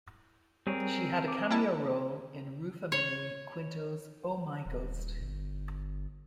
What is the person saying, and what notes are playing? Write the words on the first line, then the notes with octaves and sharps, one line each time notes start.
She had a cameo role in Rufa Mae Quinto's Oh My Ghost!
G3 C4 G#4 A#4 C#5
D6
G3 E4 A5
C#5
D#1
G1